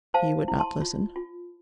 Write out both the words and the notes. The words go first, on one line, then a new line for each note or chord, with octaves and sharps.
He would not listen.
C5 F5 A5
E4
A5 C6
F4
F4